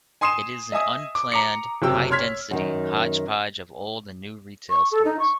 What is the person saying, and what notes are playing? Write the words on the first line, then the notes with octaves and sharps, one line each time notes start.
It is an unplanned, high density hodge-podge of old and new retail stores.
G#5 C6 D#6 C7 D#7 E7
D#5 E5 G#5 D#6
D6
A#5 D6 C#7
F#1 C3 F#3 G5 E6
C#5 C6 F6 G#6 B6
F#2 D#3
C#6
A4
D#4
C#6